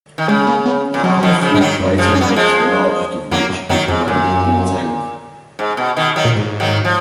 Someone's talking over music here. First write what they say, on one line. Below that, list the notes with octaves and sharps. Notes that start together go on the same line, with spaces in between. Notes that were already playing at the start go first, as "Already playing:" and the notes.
There are a few crater lakes, the largest of which is Grand Etang.
D#3
C#3 G#3
A#3
B3
A#2
B2 F#3
F#3
B2 D#3
F3
C#3 F3
G#2 G#3
D#3 F#3
F#2
C#3 F3
C#4
B3
A#3
F3 G#3
F2 F#3 A#3
F#2
F#2 D#3 F#3
F2 G#2
F#2 A#2
G#2
B2
B2 D#3
D#3 F#3
A#2
G#2
D#3 F#3
F3